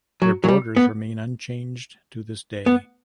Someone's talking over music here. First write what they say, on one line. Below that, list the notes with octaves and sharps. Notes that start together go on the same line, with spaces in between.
Their borders remain unchanged to this day.
F#3
F#3
G3
B3
B3